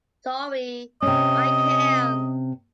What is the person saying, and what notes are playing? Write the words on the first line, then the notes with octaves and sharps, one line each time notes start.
Sorry, I can’t.
C3 C#4 D#5